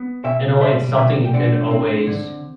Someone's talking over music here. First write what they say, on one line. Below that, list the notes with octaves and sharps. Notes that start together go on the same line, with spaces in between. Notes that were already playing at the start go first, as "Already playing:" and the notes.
in a way, it's something you can always
Already playing: B3
B2 E5 G5
G3 C5 E5
B2 E5 G5
G5
D3 D5 F#5
C4
D3